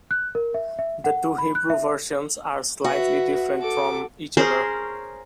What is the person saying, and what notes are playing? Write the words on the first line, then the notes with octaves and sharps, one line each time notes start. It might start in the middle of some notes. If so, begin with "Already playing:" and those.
The two Hebrew versions are slightly different from each other.
F#6
A#4
E5
E5
F#5
B5
F#6
E5
F#4 B4 E5
A4 D6
C#4 G#4 A#4 C5